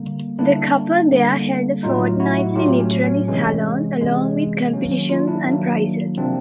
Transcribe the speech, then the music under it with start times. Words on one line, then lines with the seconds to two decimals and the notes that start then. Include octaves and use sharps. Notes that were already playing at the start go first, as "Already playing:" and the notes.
The couple there held a fortnightly literary salon along with competitions and prizes.
Already playing: D3 G3 A#3
0.39 D3 G3 A#3 D4 E4
1.11 D3 G3 A#3
1.83 A2 F#3 A3 D#4 F4
2.20 E4 F#4
2.55 A2 F#3 A3 F4 G4
2.80 C#4
3.04 C#4
3.28 C3 E3 G#3 C#4
4.00 C3 E3 G#3
4.73 D#3 F#3 A#3 C#4
4.91 C#4
5.09 D#4 F4
5.27 D4 E4
5.45 D#3 F#3 A#3
6.17 C3 F3 A#3 C4 D4